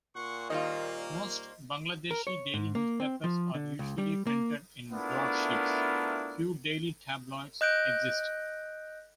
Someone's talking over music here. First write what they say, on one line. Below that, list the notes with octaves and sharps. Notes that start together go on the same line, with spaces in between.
Most Bangladeshi daily newspapers are usually printed in broadsheets; few daily tabloids exist.
A#2 F#5 C6 C#6
D#3 G3 A#3 F4 C5 D#5
A#4
C#5
G#2
A#3
C4
F3
D3
C#2
G3
A#3
A3 B3 D4 E4 F4 A#4
D#5 F#6 G6 D7